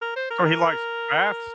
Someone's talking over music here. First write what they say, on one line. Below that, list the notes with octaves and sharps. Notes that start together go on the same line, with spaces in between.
So, he likes baths?
A#4
C5
A#4
A#4